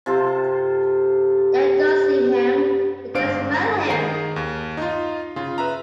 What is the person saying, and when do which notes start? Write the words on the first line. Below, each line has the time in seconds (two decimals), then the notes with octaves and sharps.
They don't see him, but they smell him.
0.06 C3 F4 A4 C5
3.14 G1 G#2 D4 F5 D7
3.90 D#3 G#4 A#5 C7
4.36 D#2
4.77 D#4 F4
5.36 C#3 F4
5.58 B4 E5 A#5